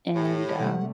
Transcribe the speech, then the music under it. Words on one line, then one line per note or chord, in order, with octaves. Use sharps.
And, uh,
A2 G4
C3 G3 A3 F#5